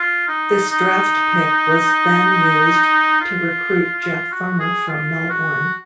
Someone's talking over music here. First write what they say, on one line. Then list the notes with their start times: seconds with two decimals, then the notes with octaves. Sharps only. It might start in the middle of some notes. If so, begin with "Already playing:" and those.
This draft pick was then used to recruit Jeff Farmer from Melbourne.
Already playing: F4
0.28 D#4
0.70 D#4
3.21 F4
4.04 F4
4.32 F#4
4.60 G#4
4.88 F4
5.30 F#4